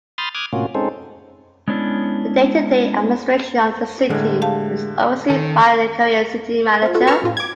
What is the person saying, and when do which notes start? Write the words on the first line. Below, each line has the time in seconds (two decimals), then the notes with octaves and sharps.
The day-to-day administration of the City is overseen by a career City Manager.
0.18 B5 C6 D#6 F6 G6 A6
0.35 D6 D#6 F6 F#6 G#6
0.53 A2 C3 A#3 C#4 F4 F#4
0.75 G#3 C4 C#4 D#4 A4 C5
1.68 G#3 B3 C#4 D4 E4
4.10 A2 D3 G#3 A#3
4.42 G4 F5 A5
5.30 D#3 A4
6.82 C4 F4
6.94 F4 F#4 A4
7.07 B4 C#6 E6 F6
7.22 F#2 A2 F4
7.37 D6 G#6